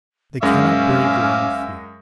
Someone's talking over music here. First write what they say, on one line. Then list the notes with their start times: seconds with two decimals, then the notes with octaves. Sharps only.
They cannot brave their own fear.
0.43 F#2 G#3 C#4 E5 F5 D6